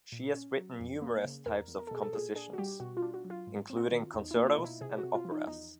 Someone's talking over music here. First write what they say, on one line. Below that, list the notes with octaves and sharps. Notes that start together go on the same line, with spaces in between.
She has written numerous types of compositions, including concertos and operas.
A#2
C#4
F#3
F2
A#3
C#3
E2 A#4
E2
A#4
A4
B2 G#4
A4
A#2 G#4
D4 G#4
F#4
G3 G4
B2 F#4
F4
D4
F#4
F#3
F4
G#2
C4
F#4
F4
D#3
E2 D#4
E4
A#3
F4
B2 D#4
E4
C3 G#4
F#4
C3
F4
F3
D#4
E2 D#4